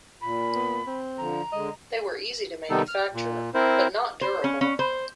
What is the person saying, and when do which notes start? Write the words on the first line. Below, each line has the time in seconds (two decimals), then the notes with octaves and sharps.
They were easy to manufacture, but not durable.
0.21 A#2 B5
0.55 B3
0.87 C4
1.18 D3 F3 A#5
1.53 D3 G#3 D#5
2.70 C3 D#3 G3 B3 D#4 A4
2.88 F6
3.13 A#2
3.54 C4 E4 A#4 C5
4.21 C5
4.44 C#4
4.61 C#4
4.79 C5